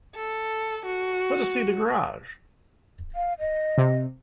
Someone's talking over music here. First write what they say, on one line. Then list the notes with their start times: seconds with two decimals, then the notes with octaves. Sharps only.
Let us see the garage!
0.15 A4
0.85 F#4
3.15 F5
3.39 D#5
3.78 C3